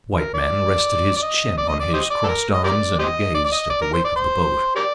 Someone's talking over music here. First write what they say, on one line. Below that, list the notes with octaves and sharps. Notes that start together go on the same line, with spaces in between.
The white man rested his chin on his crossed arms and gazed at the wake of the boat.
A#4
D5
D5
D#5
D5
D#5
D5
G4 C5 D#5
D5
A4
A#4
D#5
G4 A#4 D5
G4 C5 D#5
D5
D5
D#5
D5
A#4
C5
D5
C5
G4 A#4 D5